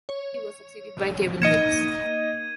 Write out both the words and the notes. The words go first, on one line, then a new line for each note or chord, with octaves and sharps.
He was succeeded by Kevin Knibbs.
C#5
A#3 D#4 D#5 G#6 C#7 D#7 E7